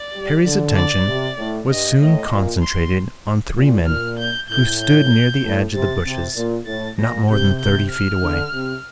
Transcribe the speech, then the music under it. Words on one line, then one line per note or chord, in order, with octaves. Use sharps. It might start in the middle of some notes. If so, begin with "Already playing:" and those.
Harry's attention was soon concentrated on three men who stood near the edge of the bushes, not more than thirty feet away.
Already playing: D5
G3
D3
D5
C3
A2
G2 D#5
A2 D#5
A#2
C6
A#2
A#2 F6
G6
A2 G6
G6
A2
C3 A6
C3
A#2
A2 A6
A#2 A#6
C3 G6
G6
F6
D3
C3